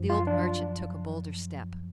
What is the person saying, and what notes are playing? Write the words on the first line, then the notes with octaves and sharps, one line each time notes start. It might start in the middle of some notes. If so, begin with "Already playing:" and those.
The old merchant took a bolder step.
Already playing: F#2 F3
F4
D4